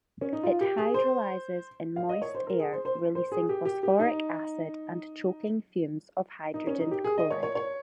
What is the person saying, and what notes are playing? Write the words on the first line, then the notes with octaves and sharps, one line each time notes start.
It hydrolyses in moist air releasing phosphoric acid and choking fumes of hydrogen chloride.
C#4
D#4
F4
G4
G#4
C5
F5
D#5
C#5
C5
A#4
G#4
C5
C5
C5
G#4
G4
G4
G4
D#4
D#4
C#4
D#4
G4
G#4
D#5
C#5
C#5
C#5